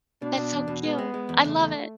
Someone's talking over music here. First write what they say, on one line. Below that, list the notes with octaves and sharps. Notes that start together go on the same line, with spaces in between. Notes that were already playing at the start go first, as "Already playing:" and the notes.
that's so cute. I love it.
B2 D4
B2
E2
B2
G#3 B3
G#3
G#3
E2
C#3 A3
E2